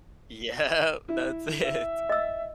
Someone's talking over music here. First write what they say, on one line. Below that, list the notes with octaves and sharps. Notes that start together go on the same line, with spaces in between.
Yep, that's it.
E4
E5
D#5 E6